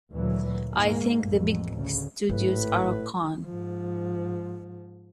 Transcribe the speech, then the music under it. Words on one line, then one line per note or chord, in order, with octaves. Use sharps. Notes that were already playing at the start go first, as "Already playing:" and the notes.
I think the big studios are a con.
D2 A#2 E3 F#3
G#2 A#3
A1 F2
D2 C#3
G#1 A2 B4
G#2 F3